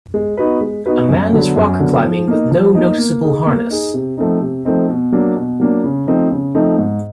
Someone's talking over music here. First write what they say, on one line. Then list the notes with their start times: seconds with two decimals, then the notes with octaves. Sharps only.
A man is rock climbing with no noticable harness.
0.14 G#3
0.37 B3 D#4 F#4 B4
0.61 G#3
0.86 B3 D#4 F#4 B4
1.09 F#2
1.33 D3 F#3 B3
1.56 F#2
1.80 D3 F#3 B3
2.04 F3
2.28 A#3 D#4
2.51 F3
2.75 A#3 D#4
2.98 A#3
3.23 D#4 G#4
3.46 A#3
3.70 D#4 G#4
3.94 C3
4.17 F3 A3 C4 D#4
4.42 C3
4.65 F3 A3 C4 D#4
4.89 B2
5.12 F#3 A#3 D4
5.36 B2
5.60 F#3 A#3 D4
5.84 C#3
6.07 F3 A3 C4 D#4
6.31 C#3
6.55 F3 A3 C4 D#4
6.78 G#2